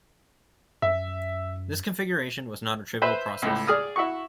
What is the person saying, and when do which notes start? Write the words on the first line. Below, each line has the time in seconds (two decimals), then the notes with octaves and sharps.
This configuration was not a trivial process.
0.82 F#2 E5
3.02 B4 C5 E5
3.42 C#2 A2
3.67 G#4 D5 D#6 F6
3.96 E4 F#4 C#6